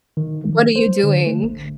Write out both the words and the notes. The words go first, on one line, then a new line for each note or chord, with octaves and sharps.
What are you doing
D#3
F3
C5
D3
A3
A1